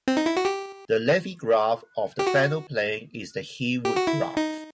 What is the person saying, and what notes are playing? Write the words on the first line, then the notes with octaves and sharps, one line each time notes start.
The Levi graph of the Fano plane is the Heawood graph.
C4
D#4
E4
F#4
G4
G4
F#4
G4
F#4
E4
D#4